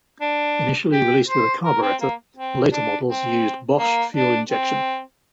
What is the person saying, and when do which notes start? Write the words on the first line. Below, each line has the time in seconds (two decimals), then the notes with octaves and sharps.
Initially released with a carburetor, later models used Bosch fuel injection.
0.21 D4
0.93 G4
1.28 C5
1.65 A#4
1.82 C4
2.01 A#3
2.37 C4
2.72 D4
3.08 C4
3.79 A#3
4.15 D4
4.51 C4